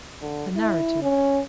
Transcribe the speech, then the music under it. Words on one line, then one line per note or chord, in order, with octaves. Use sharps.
The Narrative.
D3
E4
C#4